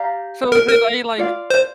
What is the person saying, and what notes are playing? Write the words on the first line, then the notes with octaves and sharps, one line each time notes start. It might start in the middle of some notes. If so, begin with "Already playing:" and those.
So is it, like like,
Already playing: G4 D5 F5 A#5
A#4
A#4
F4 D5 F5
C5